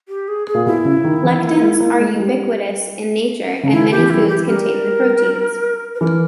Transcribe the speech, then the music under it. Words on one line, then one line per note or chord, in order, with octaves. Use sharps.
Lectins are ubiquitous in nature and many foods contain the proteins.
G4
G#4
G#4
A#2
B2 E4
C#3
D#3
E3
A#3
A#3
G#3
A#3
G#3
G#3
G3
C#3
D#3 E4
G4
E3
G3 E4
E3
G4
G3 A#4
B4
E3 A#4